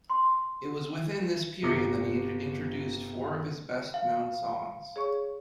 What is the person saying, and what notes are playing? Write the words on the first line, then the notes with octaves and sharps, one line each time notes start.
It was within this period that he introduced four of his best-known songs.
C6
G1 C3 A#5 D6 A#6 C#7
F5
G#4 C#5 C#6